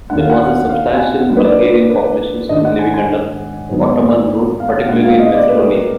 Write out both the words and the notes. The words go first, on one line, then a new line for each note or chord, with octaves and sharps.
There was a substantial Bulgarian population still living under Ottoman rule, particularly in Macedonia.
D#2 D#3 A#3 D4 F#5
F5
F#5
F#5
F5
G#5
F#5
D3 F#3 A#3 F#5
B4
D5
B4
B4
G#2 D#3 G#3 D4 D#5
F#5
G#5
G#5
G#2 D#3 F#3 B3
F5
F#5
F5
A#2 G#3 B3 D4 F#5
F5
D#5
D5
B4
G#4
A#4